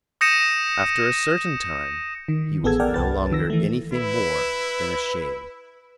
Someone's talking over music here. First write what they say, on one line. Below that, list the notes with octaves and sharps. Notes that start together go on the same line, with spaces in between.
After a certain time he was no longer anything more than a shade.
D#6 G6 A#6 C#7 D#7 E7
D#3
A1 B3 G#4 A4 E6 G#6
A#4 D5 F#5 G5 A5 F6
C2 B4 A6
D#3 E6 A#6
E3 A3
E4 B4